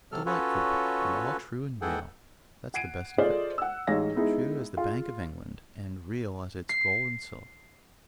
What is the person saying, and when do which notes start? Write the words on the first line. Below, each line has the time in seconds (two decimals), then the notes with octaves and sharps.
It's a delightful book, and all true and real--that's the best of it--true as the Bank of England, and real as its gold and silver.
0.12 C3 F#3 A4 F6
0.26 C#4 F4 F#4 A4 B4 C#5
1.82 G#2 E3 G#4 A4 F#5 G5
2.74 F#5 G#6 C7 D7 D#7
3.18 F4 G#4 A4 C5 D5 D#5
3.58 F#5 E6
3.87 A1 G#3 D#4 C#5 F5 A#6
4.16 G#3 B3 D#4 E4 G#4
4.77 F4 G#4 F5
6.69 C7